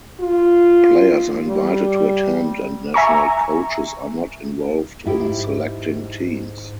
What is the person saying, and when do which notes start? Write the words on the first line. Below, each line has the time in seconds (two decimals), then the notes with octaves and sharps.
Players are invited to attend and national coaches are not involved in selecting teams.
0.20 F4
1.48 G3
2.94 E5 G#5 A#5 C#6
5.06 G#2 E4 G4